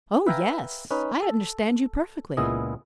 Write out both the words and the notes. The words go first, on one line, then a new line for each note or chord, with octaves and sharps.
"Oh! yes--I understand you perfectly."
B4 E5 F5 G5 G#5 A#5
C#4 D#4 B4
A4
C#2 A#2 B3 E4 G#4 D#5